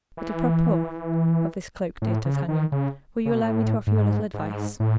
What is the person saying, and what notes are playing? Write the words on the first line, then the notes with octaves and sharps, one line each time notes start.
"But a propos of this cloak, dear D'Artagnan, will you allow me to offer you a little advice?"
E3
A2
C#3
D#3
C#3
C#3
B2
A2
G#2
G#2
A2